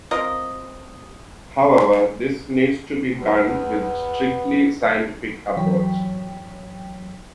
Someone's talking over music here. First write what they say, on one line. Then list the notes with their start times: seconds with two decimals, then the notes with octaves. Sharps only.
However, this needs to be done with a strictly scientific approach.
0.11 C4 F4 A#4 D#5
3.17 E2 B3
5.56 G#2 E3 F#3 C#5 G5 B6